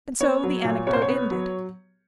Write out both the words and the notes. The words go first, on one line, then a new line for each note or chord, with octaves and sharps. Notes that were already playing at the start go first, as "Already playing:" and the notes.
And so the anecdote ended.
B3 C#5
F#3
A#2
C2 C#5
C5
C#5
B3
F#3